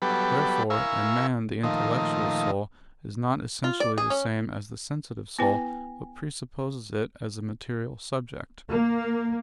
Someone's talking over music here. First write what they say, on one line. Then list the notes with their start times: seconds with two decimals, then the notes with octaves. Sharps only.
Therefore in man the intellectual soul is not essentially the same as the sensitive soul, but presupposes it as a material subject.
0.02 F#3 G3 B3 G4 A4 B4
0.70 E4 A#4 F5 G#5 C#6 E6
1.64 A#2 D#3 F3 A3 D#4
3.64 F4
3.80 D5
3.98 G#4
4.10 C#4
5.39 B3 E4 B4 G5 G#5 A#6
8.70 A#3